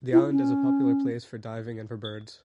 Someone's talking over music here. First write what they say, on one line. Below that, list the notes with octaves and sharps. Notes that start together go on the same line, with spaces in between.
The island is a popular place for diving and for birds.
E4
C#4